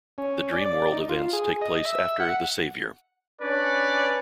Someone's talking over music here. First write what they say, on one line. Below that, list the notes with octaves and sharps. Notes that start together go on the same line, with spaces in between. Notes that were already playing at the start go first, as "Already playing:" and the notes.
The Dream World events take place after "The Savior".
C#4
D5
D5
D#4
F4
G#4
D#5
E5
F#5
C#4 D4 B4 C#5 D5